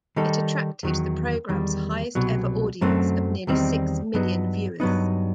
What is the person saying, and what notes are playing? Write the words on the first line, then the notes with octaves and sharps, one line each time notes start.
It attracted the programme's highest ever audience of nearly six million viewers.
D#3 G3 D#4 A4
E2 D#3 F#3
E2 D#3 G3
C2 B2 F#3
F#2 F#3 A3 C4
E2 D#3 G3 C4 D#4
G2 F#3 B3 D#4
G2 F#3 B3 D#4